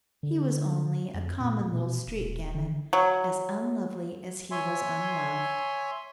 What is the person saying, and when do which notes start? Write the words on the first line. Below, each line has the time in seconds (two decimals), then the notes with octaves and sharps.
He was only a common little street gamin, as unlovely as he was unloved.
0.23 D3
1.14 F2
1.40 A#2
1.72 B2
2.07 D#1
2.55 D3
2.93 F#3
4.51 C#5 E5 G#5 C6